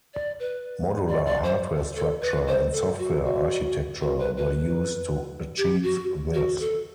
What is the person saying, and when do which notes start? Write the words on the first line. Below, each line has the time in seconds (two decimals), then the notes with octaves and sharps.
Modular hardware structure and software architecture were used to achieve this.
0.14 D5
0.40 B4
1.09 D5
1.26 D5
1.44 C5
1.96 A4
2.21 B4
2.47 C5
2.73 A4
2.99 F#4
3.24 F#4
4.02 F#4
4.19 B4
4.37 B4
5.58 G4
5.83 F#4
6.34 F#4
6.60 A4